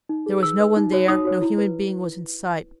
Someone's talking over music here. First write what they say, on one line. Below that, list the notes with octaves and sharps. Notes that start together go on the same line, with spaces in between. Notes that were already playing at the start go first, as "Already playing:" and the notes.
There was no one there; no human being was in sight.
D#4
G#4 B4
D#4 E6
G#4 B4
D#4
F#4 C#5
D#4 D#6
F#4 C#5
E4
B4